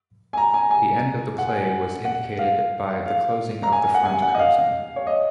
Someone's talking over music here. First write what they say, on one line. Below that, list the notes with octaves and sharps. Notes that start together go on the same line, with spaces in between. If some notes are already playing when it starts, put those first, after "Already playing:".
The end of the play was indicated by the closing of the front curtain.
G#5
A#5
G#5
G#5
F#5
F#5
F5
F5
A#5
G#5
G#5
F#5
G#5
F#5
D#5
F5
C#5
D#5